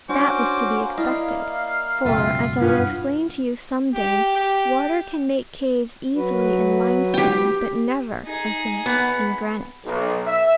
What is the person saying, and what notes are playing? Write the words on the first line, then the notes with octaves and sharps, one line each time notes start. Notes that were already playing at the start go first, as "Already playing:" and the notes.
That was to be expected; for, as I will explain to you some day, water can make caves easily in limestone: but never, I think, in granite.
C#4 D4 F#4 C5 D6
A#3
E4 D5 D#5 F5
C#2 F#2 B2 F4 A4 E5 G5
G2 B3 C#4 F4 B4 F5
G4
G4
F#3 F#4 B4
G4 G5
D#4 G#4
B3
B1
E5